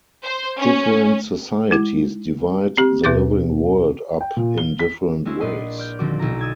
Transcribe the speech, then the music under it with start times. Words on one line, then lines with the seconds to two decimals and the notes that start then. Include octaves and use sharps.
Different societies divide the living world up in different ways.
0.24 C5
0.58 C#4
1.71 G#3 E4 G#6
2.77 C4 G4
3.04 D#2 B2 B4 D6 G6 A6
4.21 G5
4.37 A#2
4.58 G7
4.79 B6
5.25 G#3 C4 C#4 E4
5.40 A#1 A#2 D4 B4 D#5 C7
5.78 D5 F6 G6
5.99 D#1 D3 F3 C4 F#4 D6
6.19 B1 E4 A#5
6.39 D#6 E6 G#6 A6